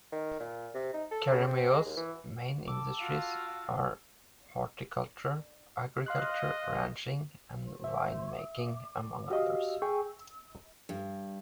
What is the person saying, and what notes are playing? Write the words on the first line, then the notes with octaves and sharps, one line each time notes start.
Keremeos' main industries are horticulture, agriculture, ranching, and wine making, among others.
D#3
A#2
C3
D#4
A4
C#3
C4
G#3
D#2
E3
A4 D6
F4 F#4 F5
D#5 F5 C6 F#6
E5
F#4 G4 D#5 F5
G#4 G5 G#5 C#6
G2